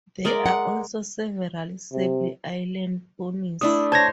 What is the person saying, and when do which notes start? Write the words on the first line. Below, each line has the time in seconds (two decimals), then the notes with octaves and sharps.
There are also several Sable Island Ponies.
0.25 G#3 A#4 D5
0.46 F#5
1.93 C3
3.61 A3 D4 E4 D#6
3.92 C5 C#5 A5 G#6 A#6